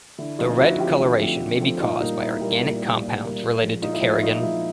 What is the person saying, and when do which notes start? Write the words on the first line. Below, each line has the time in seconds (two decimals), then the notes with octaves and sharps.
The red coloration may be caused by organic compounds related to kerogen.
0.18 D3 E4
0.39 F3 A3 C4 D#4 F4
0.59 D3 E4 F#4
0.79 F3 A3 C4 F4 G4
1.00 D3
1.19 F3 A3 C4
1.40 D3
1.60 F3 A3 C4
1.80 A#2 D#4 F4
2.00 G3 A#3 D#4
2.21 A#2 E4
2.40 G3 A#3
2.62 A#2
2.82 G3 A#3
3.02 A#2
3.22 G3 A#3
3.42 A#2
3.62 F3 G#3
3.82 A#2 D#4 F4
3.93 E4
4.02 F3 G#3 D#4
4.13 E4
4.23 A#2 D#4 F4
4.43 F3 G#3 E4